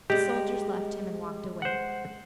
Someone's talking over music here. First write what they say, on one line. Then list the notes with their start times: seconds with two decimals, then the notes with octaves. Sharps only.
The soldiers left him and walked away.
0.10 G3 G#3 G4
1.62 C5 F#5